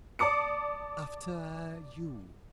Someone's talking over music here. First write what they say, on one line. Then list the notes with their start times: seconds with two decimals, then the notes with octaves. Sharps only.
"After you!"
0.19 D5 A5 D6 D#6 C#7